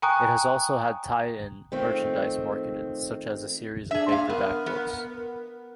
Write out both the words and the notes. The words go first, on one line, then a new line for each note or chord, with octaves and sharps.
It has also had tie-in merchandise marketed, such as a series of paperback books.
G5 G#5 A#5 C#6 D#6 F#6
D#3 A3 C4 F4
D4 G#4 E5
A#2 F5
B3 A#4
B3